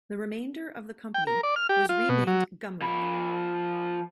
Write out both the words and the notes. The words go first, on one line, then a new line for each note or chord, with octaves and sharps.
The remainder of the company was renamed Gumlink.
G5
A#4
D5
F6
G4
F4
B2
F#3
F3 B5